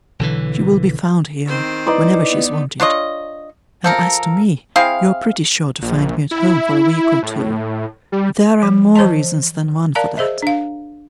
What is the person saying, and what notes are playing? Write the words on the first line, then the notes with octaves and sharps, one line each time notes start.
She will be found here, whenever she's wanted; and as to me, you're pretty sure to find me at home, for a week or two. There are more reasons than one for that.
B1 D3 E3
D#3 C4 C5
D#4 E4 B4 D5 D#5 C6
B3
D4 F4 C#5 D#5
F3 A4 A#4
C4 E4 G#4 F5
A#1
E4
A2
G3
F3
E3 C5 C#5 D#5 A5
A#4 D5 F5 A5 A#5
G#4 C5 D#5 E5
D4 F5